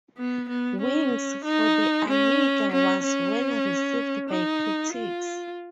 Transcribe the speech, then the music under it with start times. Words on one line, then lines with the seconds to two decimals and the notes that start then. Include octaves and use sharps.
"Wings" for the Amiga was well received by critics.
0.18 B3
0.49 B3
0.81 C#4
1.45 D#4
2.08 C#4
2.72 C#4
3.04 C#4
4.29 D#4
4.94 F4